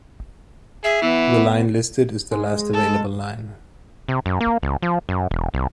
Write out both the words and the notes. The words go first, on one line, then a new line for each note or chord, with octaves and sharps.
The line listed is the last available line.
G#4 E5
E3 B3
G#3
A4
C3
F#2
A#3
C#2
F3
F#2
E1
C2